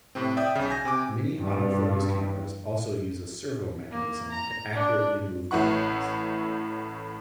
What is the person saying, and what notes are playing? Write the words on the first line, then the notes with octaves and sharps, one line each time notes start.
Many autofocus cameras also use a servomechanism to accurately move the lens.
A2 C3 C4
D5 E5 G5 D#6 G6
B1 C#3
G#5 G6 A#6
C3 G#5 D6
G2
A#3
A#5
D4
A1 A2 E4 B4 F#5 C#6